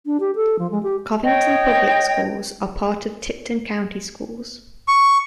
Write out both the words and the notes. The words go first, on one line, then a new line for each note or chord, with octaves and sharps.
Covington Public Schools are part of Tipton County Schools.
D4
G4
A4
F3
G#3
G4
C#5 D#5 G5
C#6